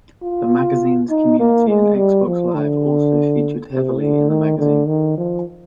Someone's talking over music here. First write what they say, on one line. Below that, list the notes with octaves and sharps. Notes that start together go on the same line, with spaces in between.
The magazine's community and Xbox Live also featured heavily in the magazine.
F4
D#4
A#3
G#3
G3
F3
D3
C3
D3
D#3
D3
D#3
F3